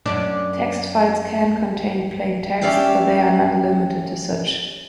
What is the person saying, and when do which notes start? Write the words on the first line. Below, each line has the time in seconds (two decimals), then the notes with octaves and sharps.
Text files can contain plain text, but they are not limited to such.
0.06 F#2 C#4 D4
2.61 C#4 G4 D5 E5 F5 G5